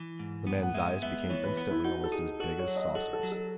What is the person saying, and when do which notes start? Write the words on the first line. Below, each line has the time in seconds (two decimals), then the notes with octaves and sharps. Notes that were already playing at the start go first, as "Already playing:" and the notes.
The man's eyes became instantly almost as big as saucers.
Already playing: E3
0.19 G#2
0.47 B3
0.63 F#5
0.74 G#3 E5
1.02 B3 E5
1.29 E3 C#5
1.44 B4
1.57 B3 B4
1.71 E4
1.84 D#4 F#4
2.04 A4
2.12 D#4 G#4
2.40 F#4 A4
2.59 C#5
2.68 F#3
2.76 D#5
2.95 F#4 A4
3.13 A4
3.23 F#3
3.32 A4